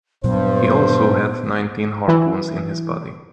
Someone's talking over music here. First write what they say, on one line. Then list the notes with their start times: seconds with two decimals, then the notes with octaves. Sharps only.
He also had nineteen harpoons in his body.
0.24 G2 A#2 F#3 B3 C5
2.08 E3